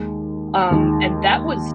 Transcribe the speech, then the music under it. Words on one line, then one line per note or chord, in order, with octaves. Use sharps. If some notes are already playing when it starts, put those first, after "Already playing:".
Um, and that was
Already playing: D#2 D#3 G#3
D#2 D#3 G#3